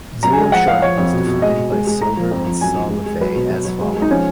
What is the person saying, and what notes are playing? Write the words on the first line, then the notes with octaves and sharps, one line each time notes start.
Zero sharp was defined by Silver and Solovay as follows.
F#2 A#5
G#5
G#3
G#5
F3 F#5
F3 F5
F3 C#5
F2
B2
B2
G#3 D#5
B2
G#3
G#3
G#3 A#5
F3
F2
F2
F#2 G#5
F3
G#3
G#3
F#3 B4
B2
F#3
F#3
G#3
G#3
D#4
F3 C#4